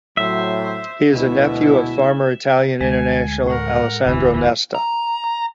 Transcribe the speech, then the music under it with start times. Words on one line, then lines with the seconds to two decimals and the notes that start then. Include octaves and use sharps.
He is the nephew of former Italian international Alessandro Nesta.
0.17 A2 F#3 C5 E5
1.12 D2 B2 G#3 E4
2.81 D2 G#3 G#5
3.47 A2 A#4 F#5
4.06 E1 D2 D3 E3
4.75 A#5